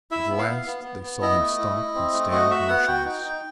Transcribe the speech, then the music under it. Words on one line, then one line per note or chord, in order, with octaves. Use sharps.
At last, they saw him stop and stand motionless.
E4 E5
B3
F5
B3
B3
B3
B3
E4 D#5
A3
E4
E4
C4
A3
F#4 D#5
F#4 E5
B3 F#5
F#4 G5
D#4
D#4